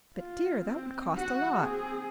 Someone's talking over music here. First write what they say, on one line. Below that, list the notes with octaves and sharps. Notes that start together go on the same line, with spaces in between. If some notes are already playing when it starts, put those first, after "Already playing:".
But, dear, that would cost a lot!
F4
C4
F#4 F#5
C4 G#4